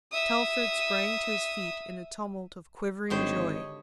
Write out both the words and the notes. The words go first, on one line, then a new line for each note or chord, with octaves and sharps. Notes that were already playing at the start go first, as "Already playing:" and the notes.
Telford sprang to his feet in a tumult of quivering joy.
E5 D#6
G#1 D3 G4 C5 C#5 D#5